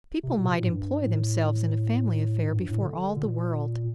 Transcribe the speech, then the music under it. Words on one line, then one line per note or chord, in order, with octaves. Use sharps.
People might employ themselves in a family affair before all the world.
C3
A#2
C3
A#2
A2
G2
A2
A2
G2
A2
D3
A#2